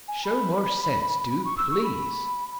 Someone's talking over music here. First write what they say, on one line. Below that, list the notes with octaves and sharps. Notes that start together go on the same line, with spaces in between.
"Show more sense, do, please."
G#5
B5
C#6
E6
C#6
B5